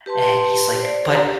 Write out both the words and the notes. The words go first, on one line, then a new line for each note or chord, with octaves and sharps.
And he's like, "But
G4 B4 A5 C6
C5 D5
G4 A#5